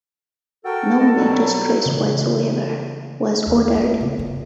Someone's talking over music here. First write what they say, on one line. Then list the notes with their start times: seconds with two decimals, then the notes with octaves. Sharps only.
"No mental stress whatsoever" was ordered.
0.65 F#4 A4 A#4 G5
0.99 D#5
1.17 B2 F#3 G3
1.86 C#3 E3
3.47 D#2
3.76 A3
4.01 C#3
4.19 F4